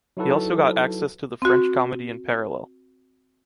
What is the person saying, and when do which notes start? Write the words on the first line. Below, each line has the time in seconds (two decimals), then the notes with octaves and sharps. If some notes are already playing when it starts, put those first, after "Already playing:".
He also got access to the French Comedy in parallel.
0.17 F#3 D#4 E4 F#4 A4 B4
1.42 C4 F#4